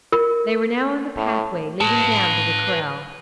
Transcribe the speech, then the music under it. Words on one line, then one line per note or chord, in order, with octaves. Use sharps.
They were now on the pathway leading down to the kraal.
A#4
A2
B4 A5